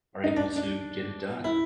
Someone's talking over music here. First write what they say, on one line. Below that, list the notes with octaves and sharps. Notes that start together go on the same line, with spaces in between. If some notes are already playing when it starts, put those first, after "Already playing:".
are able to get it done.
D#4
D4
D4
E4